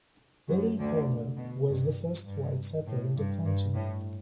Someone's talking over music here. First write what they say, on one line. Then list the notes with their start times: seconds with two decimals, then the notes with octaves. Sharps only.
William Conner was the first white settler in the county.
0.48 F#2 F#3
0.79 D2 D3
1.37 B2
1.68 G2
2.26 G2
2.87 A2
3.16 G2
3.45 G2
3.75 A2